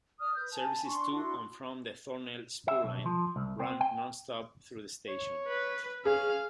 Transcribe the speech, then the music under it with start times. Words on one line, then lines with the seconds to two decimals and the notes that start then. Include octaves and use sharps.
Services to and from the Thornlie spur line run non-stop through the station.
0.20 D5 D#6 F6
0.35 B4 G6
0.53 G#5 A5
0.86 D4 C6 C#6
1.11 D4 E4 F#4 C6
2.68 E5
2.84 B1
3.06 F3
3.36 C2
3.60 C4
3.81 G5
5.09 C#5
5.48 B4
6.05 C#4 G#4 F5